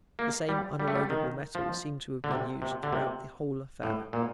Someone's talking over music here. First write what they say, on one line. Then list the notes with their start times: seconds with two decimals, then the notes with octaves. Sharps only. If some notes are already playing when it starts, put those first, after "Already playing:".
The same unerodable metal seemed to have been used throughout the whole affair.
0.19 A#3
0.49 G3
0.80 G3
0.88 A3
0.96 G3
1.10 D#3
1.55 F3
2.24 D3
2.31 C3
2.62 C3
2.83 D3
2.93 C3
3.83 A2
4.13 A#2